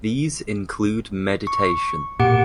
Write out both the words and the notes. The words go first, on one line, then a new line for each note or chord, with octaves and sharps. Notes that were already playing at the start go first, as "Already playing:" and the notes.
These include mediation.
C#6
A#2 G4 F#5 D7